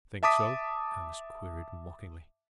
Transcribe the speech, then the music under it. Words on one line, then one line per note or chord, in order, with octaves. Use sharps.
"Think so?" Ernest queried mockingly.
E5 A5 D6 D#6 B6